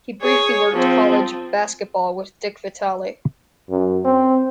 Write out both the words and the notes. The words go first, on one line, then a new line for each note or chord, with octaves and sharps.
He briefly worked college basketball with Dick Vitale.
G#4 C#5
F3 C4
F#2
C4